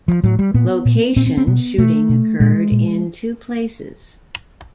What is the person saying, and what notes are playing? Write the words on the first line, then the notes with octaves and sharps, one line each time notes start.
Location shooting occurred in two places.
F3
A2 F#3
G3
A#2 B3
A#2
A#2 C4
C4
C4
B2 B3
B2 A3
B2
A#2 G#3
A#2